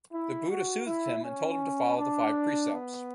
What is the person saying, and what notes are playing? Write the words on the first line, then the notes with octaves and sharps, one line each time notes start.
The buddha soothed him and told him to follow the Five precepts.
E4
F#4
E4
C#4
D4
B3